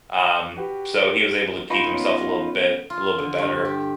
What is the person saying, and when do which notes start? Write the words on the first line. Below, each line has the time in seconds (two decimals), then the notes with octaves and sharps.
um, so he was able to keep himself a little bit a little bit better,
0.15 F6 F#6 E7
0.56 F#4 G4 B4
1.70 D#4 F4 B4
1.91 B3 C#4
2.90 F4
3.19 D3
3.38 G2
3.65 G4